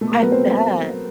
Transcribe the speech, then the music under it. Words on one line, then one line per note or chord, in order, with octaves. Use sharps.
I bet.
B2 A3 A4
A#3 A#4
F#3 B3 B4
C4 C5